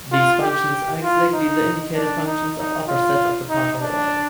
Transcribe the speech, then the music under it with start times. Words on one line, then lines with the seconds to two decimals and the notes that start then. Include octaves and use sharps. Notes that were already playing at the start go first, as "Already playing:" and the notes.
These functions are exactly the indicator functions of upper sets of the partial order.
0.12 F4
0.42 G4
1.03 F4
1.34 D#4
1.96 D4
2.26 D#4
2.57 D#4
2.88 F4
3.50 D#4
3.81 D4